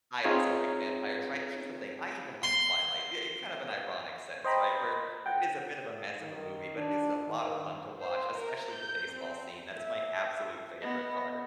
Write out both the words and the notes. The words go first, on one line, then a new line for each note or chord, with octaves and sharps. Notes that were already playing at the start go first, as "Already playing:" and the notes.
I also like vampires, right? Here's the thing, I even like Twilight, yeah, in kinda an ironic sense, right? Where where it is a bit of a mess of a movie, but, it is a lotta fun to watch, especially the baseball scene, that is my absolute favorite part.
C4 D#4 F4 G#4 C#5 A#5
C6
C5 D#5 G5 A#5 B5
F#5 G5
D#3
D4
D#3
C5
A#4
G6
C4
E5
B3 D#5